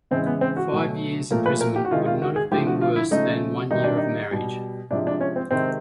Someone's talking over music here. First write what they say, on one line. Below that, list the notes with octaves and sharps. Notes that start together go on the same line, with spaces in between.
Five years' imprisonment would not have been worse than one year of marriage.
C#3 E3 G#3 C4
B3
C4
F#4
B2 F#3 A3
A#2 F3 A3 A#4
B4
A#4
G4
F#4
C3 D#3 G#3 F4
F4
F#4
G#4
D3 F3 A3 G4
F#4
F4
E4
C#3 F3 A3 D#4
C3 D#3 G3 D#4
D4
D#4
B2 G3
C3 F3 G#3 D4
D4
C#4
C4
C3 D#3 G#3 C4